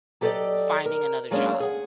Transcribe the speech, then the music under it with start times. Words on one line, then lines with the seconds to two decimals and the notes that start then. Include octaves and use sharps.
finding another job
0.21 F#3 G4 A4 C5 D5 D#5
0.86 A#4
1.30 F#2 F#3 G#3 A#3 C#4 D4
1.60 G#4 F#5